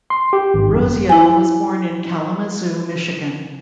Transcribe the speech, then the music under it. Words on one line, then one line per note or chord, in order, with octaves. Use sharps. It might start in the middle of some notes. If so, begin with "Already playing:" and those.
Rossio was born in Kalamazoo, Michigan.
C6
G4
G#1
F#2
E4 G#5